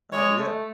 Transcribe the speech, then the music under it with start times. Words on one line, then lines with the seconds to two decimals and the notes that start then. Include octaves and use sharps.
Oh, yeah.
0.13 G#3 C#5
0.38 A3